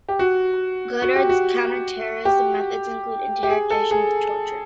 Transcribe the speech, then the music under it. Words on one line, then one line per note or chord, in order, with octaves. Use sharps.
Godard's counter-terrorism methods included interrogation with torture.
G4
F#4
F#4
G4
F#4
G4
G4
G#4
A4
G#4